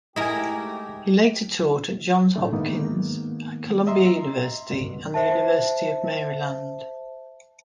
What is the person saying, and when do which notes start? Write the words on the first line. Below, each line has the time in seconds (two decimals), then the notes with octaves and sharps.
He later taught at Johns Hopkins, Columbia University, and the University of Maryland.
0.16 G#2 A3 E4 G4 A#4 D#5 G#5 A#5
2.36 A2 D3 A3
2.53 G#2 D#3 A#3 B3 D#4
3.87 D#5 E5 A#5 C6
4.70 C#2 G2 B2 D3
5.14 C5 E5 A5